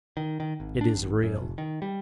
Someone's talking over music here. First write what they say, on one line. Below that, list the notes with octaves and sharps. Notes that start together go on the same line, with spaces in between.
"It is real."
D#3
D#3
G#1
D4
G#1
F#2
F1
D#3
G3